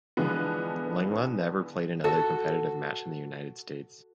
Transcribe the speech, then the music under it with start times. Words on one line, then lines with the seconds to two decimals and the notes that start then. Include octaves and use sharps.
Lenglen never played another competitive match in the United States.
0.17 D3 E3 F3 G#3 B3
2.04 F#4 A4